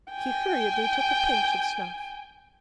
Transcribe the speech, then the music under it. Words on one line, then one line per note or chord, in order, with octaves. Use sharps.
He hurriedly took a pinch of snuff.
G5 G#5